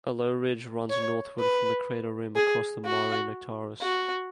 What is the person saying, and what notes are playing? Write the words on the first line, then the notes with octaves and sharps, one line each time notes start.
A low ridge runs northward from the crater rim across the Mare Nectaris.
C#5
B4
G#4
F#4
F#4